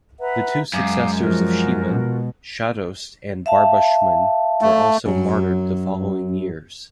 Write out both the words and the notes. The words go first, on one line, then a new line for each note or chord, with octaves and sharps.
The two successors of Shemon, Shahdost and Barba'shmin, were also martyred the following years.
B4 E5 F#5 A#5
F#2 G#3 F5 D6 D#6
F3 F4 F#4 A#4
B2
E5 F5 A5
A3
F#2 F#3